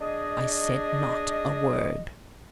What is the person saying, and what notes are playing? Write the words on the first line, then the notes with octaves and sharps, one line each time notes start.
I said not a word.
D4 G#4 D#5